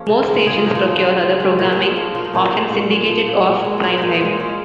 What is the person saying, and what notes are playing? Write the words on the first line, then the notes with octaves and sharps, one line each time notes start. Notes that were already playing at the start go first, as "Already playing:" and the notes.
Most stations procure other programming, often syndicated, off prime time.
Already playing: F3 G#3 A#3 C#4
C#3
G#3
C#3 G#4
F4
G#3 D#4
F4
F3
C#3
C#3
G#3
A#2 D#4
G#3 C#4
C#4
F3
A#2 F4
D#4
A#2 C#4
D#4
G#3
A#2
G#3
F3
A#2
A#2
G#3
F4
A#2 G#4
A#2 D#4
F4
G#3 D#4
G#3 C#4